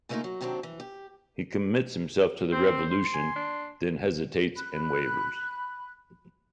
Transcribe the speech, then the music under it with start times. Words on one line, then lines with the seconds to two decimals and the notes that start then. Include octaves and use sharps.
He commits himself to the revolution, then hesitates and wavers.
0.09 C#3 A3 A#3 C#4 D#4 F4
0.24 F#3
0.41 C3 D#3 F#3 C4 D4
0.63 E3
0.80 G4
2.52 C4 C5
2.91 C6
3.14 G#5
3.35 D4
4.56 B5 F#6